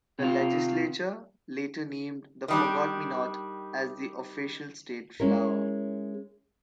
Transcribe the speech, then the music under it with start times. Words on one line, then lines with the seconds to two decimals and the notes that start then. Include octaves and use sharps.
The Legislature later named the forget-me-not as the official State flower.
0.19 C3 F4
2.48 D#3 G3 D4
5.20 G#3 C#4 E4 A#4